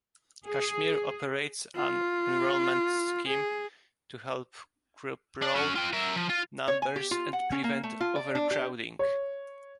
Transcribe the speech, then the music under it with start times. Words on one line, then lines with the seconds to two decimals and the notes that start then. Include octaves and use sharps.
Cashmere operates an enrolment scheme to help curb roll numbers and prevent overcrowding.
0.46 G#4
1.75 F4
3.28 G#4
5.42 D4
5.55 C#4 F#4
5.75 F4 G5
5.93 A#4 E5
6.16 F3
6.30 F4
6.68 C#5
6.82 G#5
6.96 G4
7.11 F4
7.33 F#5
7.52 C#4
7.64 A#3
7.83 A3
8.01 F4
8.16 D5
8.35 D4
8.51 G4
8.99 C#5